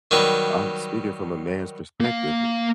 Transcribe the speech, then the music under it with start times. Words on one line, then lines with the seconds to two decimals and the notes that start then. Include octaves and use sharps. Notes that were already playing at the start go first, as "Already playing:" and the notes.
I'm speaking from a man's perspective.
0.11 D#3 F#3 G3 B4
2.00 A#3 F5